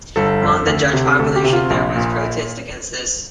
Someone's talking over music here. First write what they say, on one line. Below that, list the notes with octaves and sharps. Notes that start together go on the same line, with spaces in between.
Among the Dutch population there was protest against this.
G1 A4
F2
D2
C3
D2 A4
G4
C3
F4
A#1
A#2